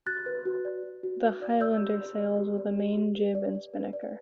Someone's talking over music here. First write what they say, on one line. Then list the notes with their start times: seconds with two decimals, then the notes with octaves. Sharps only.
The "Highlander" sails with a main, jib and spinnaker.
0.06 F#4 F#6 A6
0.26 B4
0.45 F#4
0.65 D5
0.83 F#4
1.03 F#4
1.23 B4
1.42 D5
1.61 D5 E6 G6
1.81 G4
2.00 D5
2.19 D5
2.39 G4
2.58 D5
2.78 G4
2.97 G4
3.16 B4
3.35 D5
3.55 D5
3.74 B4
3.93 D5